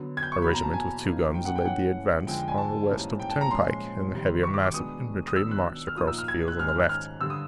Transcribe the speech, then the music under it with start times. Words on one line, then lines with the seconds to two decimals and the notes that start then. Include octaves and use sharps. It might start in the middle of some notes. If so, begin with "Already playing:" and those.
A regiment with two guns led the advance on the west of the turnpike, and the heavier mass of infantry marched across the fields on the left.
Already playing: D3 F#3 B3
0.17 G#6
0.23 G6
0.32 C#6
0.42 E2 B2 F#3 A#3 B5
0.53 A#5
0.63 A5
0.73 G#5
1.05 C#3 F3 A#3 D#4
1.34 G5
1.45 F#5
1.56 G5
1.65 C#3 E3 A3 C#4 F#5
2.27 F2 D3 F3 G#3 G5
2.38 G5
2.48 G#5
2.58 A5
2.89 G#2 E3 G3 A#3 C#4
3.20 G5
3.30 A5
3.41 A#5
3.51 A#2 F3 G#3 C#4 C6
4.13 C3 D#3 G3
4.43 C#6
4.54 D6
4.64 D6
4.73 B2 G#3 B3 D4 D#6
5.27 D#6
5.35 D#3 F#3 B3 D4 E6
5.51 F#6
5.87 F6
5.97 A#2 F3 A#3 D#4 D#6
6.07 E6
6.18 F6
6.28 G#6
6.48 F#6
6.58 G#2 D#3 G#3 C#4 F6
6.68 F6
6.80 F#6
6.89 F6
7.21 G2 D3 G3 E6
7.30 D#6